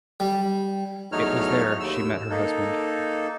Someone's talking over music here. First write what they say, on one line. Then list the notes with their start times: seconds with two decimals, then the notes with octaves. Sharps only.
It was there she met her husband.
0.20 G3
1.12 E2 F#3 A3 D#4 C#5 F6
1.80 D#2 E6
2.31 A#3 D#4 A4